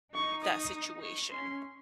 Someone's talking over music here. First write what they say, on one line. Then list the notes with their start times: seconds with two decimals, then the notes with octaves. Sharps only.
that situation?
0.14 D#4 C#6
0.44 D#6
1.03 C#6
1.32 C#4 C6